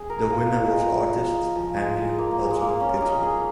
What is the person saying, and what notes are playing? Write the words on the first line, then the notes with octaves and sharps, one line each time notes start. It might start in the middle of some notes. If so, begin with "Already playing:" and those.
The winner was artist Henry Hudson Kitson.
Already playing: G#4
A#4
F4
D#4
G#3
F3
F3
G#3
G#3
A#3
A#3
G#3
G#3
A#3
C#4
C#4 D#4
G#4